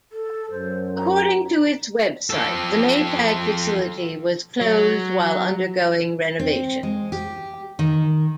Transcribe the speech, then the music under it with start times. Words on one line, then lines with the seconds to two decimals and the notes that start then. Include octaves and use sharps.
According to its website, the Maytag facility was closed while undergoing renovations.
0.12 A4
0.51 F#2 C5
0.96 A#5
2.30 F3 A4
4.61 F#3
6.40 C4
6.83 G#3
7.12 G4
7.79 D#3